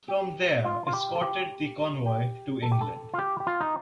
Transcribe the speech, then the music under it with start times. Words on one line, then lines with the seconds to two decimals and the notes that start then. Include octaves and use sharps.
From there escorted the convoy to England.
0.08 G4
0.65 F4
0.87 F4
0.93 G4
1.15 A4
1.22 G4
2.06 G4
2.62 A4
2.72 G4
2.81 A4
3.14 F4
3.18 G4
3.40 G4
3.47 F4
3.61 D#4